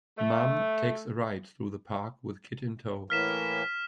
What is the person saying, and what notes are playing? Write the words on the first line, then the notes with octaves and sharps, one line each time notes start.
Mom takes a ride through the park with kid in tow.
A3
A2 E3 A#3 F6 B6 E7